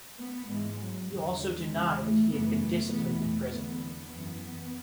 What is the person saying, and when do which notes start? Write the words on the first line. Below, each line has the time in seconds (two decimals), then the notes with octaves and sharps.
He also denied that he had been disciplined in prison.
0.18 B3
0.49 G#2 E3 G#3
0.78 F#3
1.09 E2 D3 F#3
1.40 G#3
1.70 E2 C#3 E3
2.01 A3
2.31 F#2 C#3 E3 B3
2.61 A3
2.92 E2 B2 B3
3.22 A3
3.52 E2 D3 B3
3.83 B3
4.14 F#2 E3